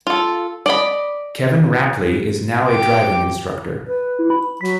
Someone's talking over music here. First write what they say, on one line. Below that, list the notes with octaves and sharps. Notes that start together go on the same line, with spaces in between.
Kevin Rapley is now a driving instructor.
F4 A4
D5 D#5 B5
G4 D6
B4
E4
B5
F#3 B6